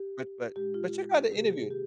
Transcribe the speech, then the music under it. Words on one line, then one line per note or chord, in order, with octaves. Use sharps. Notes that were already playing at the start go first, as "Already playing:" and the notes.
But but but check out the interview.
Already playing: G4
A#2 G#3 D4 G4
F4
C3 D#3 A#3 G4
G#4
G4